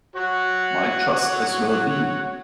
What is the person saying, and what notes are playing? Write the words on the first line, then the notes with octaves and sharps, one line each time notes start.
Might just as well be.
F#4 C#5 F#5